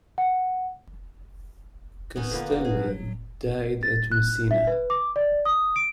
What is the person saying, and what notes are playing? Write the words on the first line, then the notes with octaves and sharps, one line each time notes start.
Castelli died at Messina.
F#5
B3 C#4 D#4 G#5
D3 F3 A#3 B3
B2 D#4
G#4
A6
F#6
E5
B4
D6
D5
D#6
D7